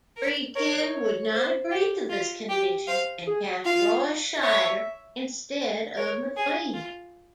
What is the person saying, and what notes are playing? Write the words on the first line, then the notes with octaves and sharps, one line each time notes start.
Friedkin would not agree to this condition, and cast Roy Scheider instead of McQueen.
A#4
A#4 C#5
C5
G4
F4
G4
C5 F5
G#4
F4 F5
C#5 E5
A#4 C#5
G#4
F4